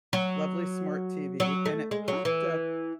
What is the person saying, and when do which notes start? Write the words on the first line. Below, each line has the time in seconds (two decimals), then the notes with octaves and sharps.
lovely smart TV and it popped up
0.13 F#3
1.40 F#3
1.65 A3
1.91 G#3
2.08 F#3
2.25 E3